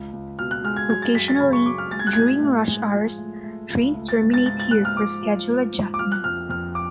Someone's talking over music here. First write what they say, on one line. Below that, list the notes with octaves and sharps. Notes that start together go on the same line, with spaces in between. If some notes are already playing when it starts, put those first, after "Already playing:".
Occasionally, during rush hours, trains terminate here for schedule adjustments.
Already playing: C#2
C#2
B2 F6
F#6
G#3 F6
G#6
F#3 G#6
A6
F#2 B6
A6
C#3 B5
C#6
F#3 D6
F6
G#3 A6
G#6
F#6
A2 G#6
A2
G#3
F3
A3
A3
C#2
A3
A6
G#2
A6
G#2 A6
A6
G#2 F#6
F6
F3 D6
F3
G#2
G#2
D6
F3 F6
F#6
F2 F6
F2 F6
D6